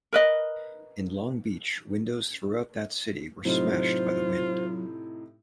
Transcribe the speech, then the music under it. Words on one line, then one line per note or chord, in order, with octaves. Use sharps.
In Long Beach windows throughout that city were smashed by the wind.
A#4 B4 D#5
A2 C3 F#3 D#4 F4 C5